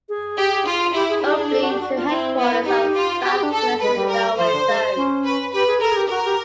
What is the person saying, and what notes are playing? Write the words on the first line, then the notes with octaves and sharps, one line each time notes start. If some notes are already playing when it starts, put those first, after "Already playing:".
Hubli is the headquarters of the South Western Railway zone.
G#4
G4
F4
E4 G4
G#4
D4 G4
G#4
A4
F#4
G4
F#4
F4
C4 E4
B3
D#4 G4
F4
F#4 G4
G#4
D4
A4
G#3 B4
G3
A#4
F3 C5
D3
G#3
C#4
B4
G4 B4
G#4
A4 A#4
G#4
G4
F#4 A#4
G4